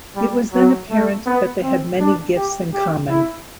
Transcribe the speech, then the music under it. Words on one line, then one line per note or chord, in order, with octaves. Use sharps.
It was then apparent that they had many gifts in common.
G3
F#3
A3
B3
C4
D4
G4
G4
E4